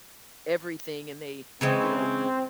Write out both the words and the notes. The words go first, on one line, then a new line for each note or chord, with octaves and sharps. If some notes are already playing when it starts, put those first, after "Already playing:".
everything and they, you know
C#3 E3 G#3 C4